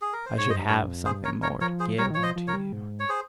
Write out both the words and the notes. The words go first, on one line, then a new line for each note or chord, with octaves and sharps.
I should have something more to give unto you!
G#4
A#4
C5
G#2 C#5
G2 C5 D#5
G2 A#4 C#5
F2
G2 G#4 C5
A#4 C#5
A#4 C#5
F3 A#4 C#5
G#4 C5
G3 A#4 C#5
D#3
F3 C#5
C5 D#5
F3
A#4 C#5
G3
G#2
C#5
G#4 C5